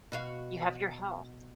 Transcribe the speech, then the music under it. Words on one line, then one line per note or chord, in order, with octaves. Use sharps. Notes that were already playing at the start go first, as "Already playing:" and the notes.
You have your health.
B2 F#4 F5